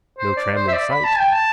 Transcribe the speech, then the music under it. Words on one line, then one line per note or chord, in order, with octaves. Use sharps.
No tram in sight.
C5
D5
C5
E5
D5
B5
A5
G5
A5